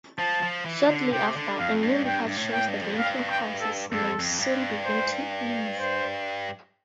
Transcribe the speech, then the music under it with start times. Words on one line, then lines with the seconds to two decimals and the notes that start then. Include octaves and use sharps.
Shortly after, a new report shows the banking crisis may soon begin to ease.
0.19 F3 A5
0.43 F3
0.66 E3
0.89 D3
1.12 C3 G5
1.36 D3
1.59 F2 F5
1.83 G2
2.05 G2 G5
2.27 G2
2.36 A2
2.52 G5
2.68 G2
2.81 F2
2.94 G2 F5
3.30 G5
3.61 A4
3.92 G2 A4
4.01 F2
4.19 F2
4.38 G2
4.85 C5
5.78 C5